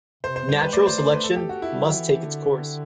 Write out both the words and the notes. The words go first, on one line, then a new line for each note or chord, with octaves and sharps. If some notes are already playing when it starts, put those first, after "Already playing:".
Natural selection must take its course.
C3 C5
C5
G3 C5
B4
A3 D5
C5
C5
B4
A4
G4
F#4
E4
G3
F#3
E3
D3